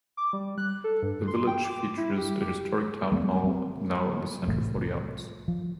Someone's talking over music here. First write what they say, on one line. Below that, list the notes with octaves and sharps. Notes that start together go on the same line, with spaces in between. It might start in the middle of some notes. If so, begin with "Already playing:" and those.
The village features the historic Town Hall, now the Centre for the Arts.
D6
G3
F#6
A4
G2
C6
G5
D6
E4
G4
G4
F#3 A3 A#3 C4
F#3 C4
C2 A2 E3 A3
F3